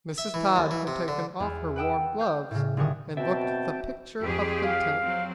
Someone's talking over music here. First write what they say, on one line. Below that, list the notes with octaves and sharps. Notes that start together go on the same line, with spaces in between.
Mrs. Todd had taken off her warm gloves and looked the picture of content.
E5
E3
D#2
E3
C3
D3
E2 E4
B4 F#5 G5 A5 D#6 E6
F5 G6
A2 C#3
G1 C3 D#3 C#6 D#6
B2 C4 F#4 E5 G5 A5
F2 G4 G#4
F5
F#3 C4